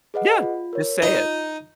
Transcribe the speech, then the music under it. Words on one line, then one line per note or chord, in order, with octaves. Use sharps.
Yeah. Just say it.
G#4 B4 D#5 F#5
F4
A#4 C#5
D#4 F4